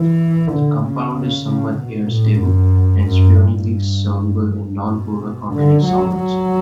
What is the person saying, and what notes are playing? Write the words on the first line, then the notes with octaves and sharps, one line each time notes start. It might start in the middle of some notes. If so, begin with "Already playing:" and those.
The compound is somewhat air-stable and sparingly soluble in nonpolar organic solvents.
Already playing: E3
D3
C#3
C#3
C#3
B2
A2
F#2
F#2
G2
B2
D3
F#3
F#3